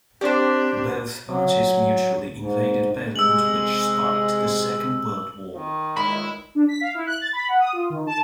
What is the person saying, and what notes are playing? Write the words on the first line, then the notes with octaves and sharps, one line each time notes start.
Both parties mutually invaded Poland which sparked the Second World War.
C4 D4 G4 C5 D5
F#3
G#2
C3 G#3 E6 F#7
D#3
C#2 A#2 G#3 E4 B5
D4
B6
F5
E4
F#6
A6
B5
F#5
D#6
F4
D#3
A5